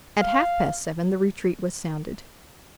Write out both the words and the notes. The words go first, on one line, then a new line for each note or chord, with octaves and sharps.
At half past seven the retreat was sounded.
F5